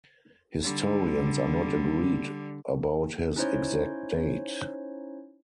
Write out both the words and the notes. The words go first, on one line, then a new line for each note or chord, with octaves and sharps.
Historians are not agreed about his exact date.
D3 G3
C#4 D#4 E4 C5 C#5